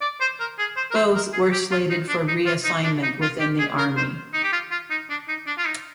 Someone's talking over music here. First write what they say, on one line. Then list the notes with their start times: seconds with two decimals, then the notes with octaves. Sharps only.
Both were slated for reassignment within the Army.
0.01 D5
0.20 C5
0.40 A#4
0.58 G#4
0.76 C5
0.91 A#4
0.96 C5
1.15 A#4
1.33 G#4
1.52 G4
1.71 F4
1.90 D#4
2.09 D4
2.28 D#4
2.46 F4
2.65 D#4
2.84 D4
3.03 D#4
3.22 F4
3.40 G4
3.59 G#4
3.78 A#4
3.96 C5
4.34 D#4
4.43 G4
4.52 F4
4.71 F4
4.90 D#4
5.10 D4
5.28 D#4
5.47 D4
5.58 F4
5.65 D#4